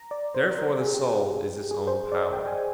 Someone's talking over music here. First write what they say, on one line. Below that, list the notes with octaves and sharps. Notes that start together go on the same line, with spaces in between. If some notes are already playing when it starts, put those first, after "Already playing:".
Therefore the soul is its own power.
Already playing: A#5
D5
C5
A#4
G#4
G4
G4
G#4
C5
D5
D#5
G5
G#5